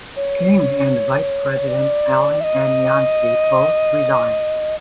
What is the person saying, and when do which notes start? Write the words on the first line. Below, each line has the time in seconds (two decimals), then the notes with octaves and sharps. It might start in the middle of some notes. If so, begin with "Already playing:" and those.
King and Vice-president Allen N. Yancy both resigned.
0.16 C#5
1.68 D5
2.41 E5
2.44 D#5